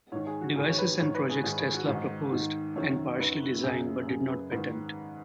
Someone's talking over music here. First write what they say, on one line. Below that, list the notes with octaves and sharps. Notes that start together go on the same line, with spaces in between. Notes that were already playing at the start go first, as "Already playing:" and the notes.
Devices and projects Tesla proposed and partially designed but did not patent.
G#2 D#3 C#5
G#4
F#4
G#2 D#3 G#4
C#5
B4
G#2 D#3 C#5
B4
G#4
G#2 D#3 G#4
G#4
F#4
G#2 D#3
G#2 D#3
F#2 D#3 C#5
F#2 D#3 B4
F#2 C#3 G#4
F#2 C#3 G#4
B4
G#2 D#3 B4